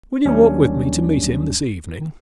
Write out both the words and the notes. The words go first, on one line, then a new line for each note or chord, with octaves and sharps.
"Will you walk with me to meet him this evening?"
D#2 F#3 G3 C#4 D4